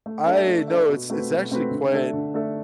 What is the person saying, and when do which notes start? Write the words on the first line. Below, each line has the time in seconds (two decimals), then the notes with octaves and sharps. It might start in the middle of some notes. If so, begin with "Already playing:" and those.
I no, it's it's actually quite
0.06 A3
0.26 D4 A4 E5
0.47 A3
0.68 D4 A4 E5
0.89 B2
1.10 A3 C4 F#4 B4
1.30 B2
1.51 A3 C4 F#4 B4
1.71 D3
1.92 A3 D4 A4 E5
2.13 D3
2.34 A3 D4 A4 E5